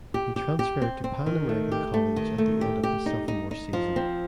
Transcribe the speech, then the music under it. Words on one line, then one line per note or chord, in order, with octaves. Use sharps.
He transferred to Pan American College at the end of his sophomore season.
G4
G4
G4
C4
C4
D#3
A3
G4
A3
D#3
A3
G4
G4
D#4
D#4
D#4
F3
C4